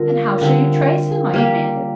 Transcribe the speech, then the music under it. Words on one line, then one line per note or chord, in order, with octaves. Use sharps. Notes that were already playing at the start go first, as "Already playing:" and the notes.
"And how shall you trace him?" I demanded.
Already playing: D3 G3 C4 F4 A#4
F5
D3 G3 C4 G5
G3 A#3 G4